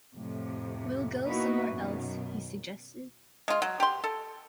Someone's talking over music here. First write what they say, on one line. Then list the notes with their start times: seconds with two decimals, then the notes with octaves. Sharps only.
"We'll go somewhere else," he suggested.
0.14 F2 A2 C3
1.27 A#3 B3 D#4 E4 F#4 B4
1.71 F#2 B2 D#3
3.48 G#3 F4
3.62 F#3
3.80 G4 C6
4.04 A4